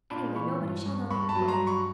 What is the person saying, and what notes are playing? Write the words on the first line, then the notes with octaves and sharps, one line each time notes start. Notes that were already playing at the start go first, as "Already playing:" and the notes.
Anyway, nobody shall know that you broke it.
A#2 A5 B5
E3 B5 C#6
G2
G2
G2 B5 C#6
A5 B5
F#3
A#5 C6
G2
B5 C#6